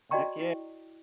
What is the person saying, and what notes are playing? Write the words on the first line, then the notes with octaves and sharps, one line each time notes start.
heck ye
F#4 D5 D#5 G5 A#5 C#6
E4